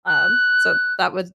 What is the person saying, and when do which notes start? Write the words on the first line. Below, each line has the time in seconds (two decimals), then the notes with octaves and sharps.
Um, so that would
0.07 F#6